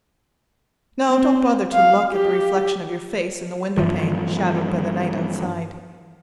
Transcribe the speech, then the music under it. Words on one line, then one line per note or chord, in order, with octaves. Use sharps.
No, don't bother to look at the reflection of your face in the window-pane shadowed by the night outside.
C4
F5
G4
G2 E3 F3